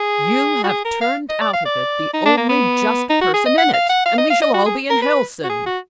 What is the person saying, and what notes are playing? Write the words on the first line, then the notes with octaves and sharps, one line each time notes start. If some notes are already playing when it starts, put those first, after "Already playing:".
"You have turned out of it the only just person in it, and we shall all be in hell soon!"
Already playing: G#4
F#4
G#4
A#4
F5
D#5
D5
F5
D5
D#4
D4
A#3
B3
D#4
F#4
G#4
D#5
F#5
F5
F#5
F5
D#5
F5
D#5
F#4
G#4
A#4
B4
F#4
G#4
F#4